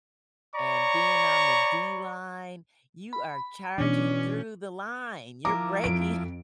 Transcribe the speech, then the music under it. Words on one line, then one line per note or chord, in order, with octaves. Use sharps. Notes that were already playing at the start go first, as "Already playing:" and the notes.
and being on the D line, you are charging through the line, you're breaking
C#5 D5 A#5 B5 C#6
B5
B2 E3 C#4 D4
F3 E4 A#4 D6
F2 D7